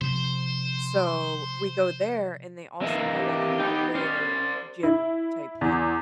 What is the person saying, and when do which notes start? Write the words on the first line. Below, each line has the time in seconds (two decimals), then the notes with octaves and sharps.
So, we go there, and they also have, like, an outdoor gym-type deal.
0.01 C3 F3 C5
2.81 E3 A#3 C4 D#5 E5
3.17 G4
3.60 B3 D#4 G5
3.95 C#4 C5 D5
4.83 E4
5.61 E2